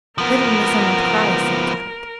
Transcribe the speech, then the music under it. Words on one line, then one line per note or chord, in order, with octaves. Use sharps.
"Little Missa not cry," said Kadok.
F3 B3 A#4